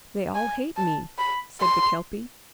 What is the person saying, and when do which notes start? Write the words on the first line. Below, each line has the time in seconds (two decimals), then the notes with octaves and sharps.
"They all hate me," said the Kelpie.
0.35 G#5
0.77 A5
1.18 B5
1.61 C6